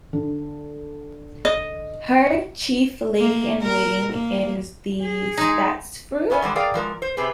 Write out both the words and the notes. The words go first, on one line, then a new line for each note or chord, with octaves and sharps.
Her chief lady-in-waiting is the "statsfru".
D3
D#5
A#3
A#4
A#3
G#4
G#3 D#4
A3 B3 C#4 F5 G#5
D3 G3 G#3 D4
G#4 A#4 D5 F5 G5
F3 G#3 A#4
C5
C3 C4 G4 G#4 B4